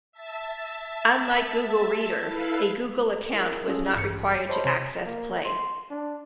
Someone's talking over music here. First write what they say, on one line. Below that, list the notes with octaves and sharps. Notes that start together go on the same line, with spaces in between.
Unlike Google Reader, a Google Account was not required to access Play.
E5 A5
E4 A4 B4 F5
E4 G#4 A#4
C#4 F4 G#4 A4
A1 G2 C#7
C5 C#5 D#5 A5 B5 C6
C3 C5 C#5 C6 A6
A#3
C6
D4